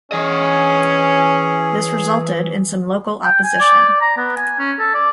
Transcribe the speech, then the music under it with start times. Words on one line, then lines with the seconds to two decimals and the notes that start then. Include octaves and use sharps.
This resulted in some local opposition.
0.12 E3 C#4 G#4 D#5
3.24 G5
3.44 G#5
3.60 D5
3.88 D5
4.01 A#5
4.17 B3
4.36 G#5
4.59 C#4
4.79 A4
4.94 D5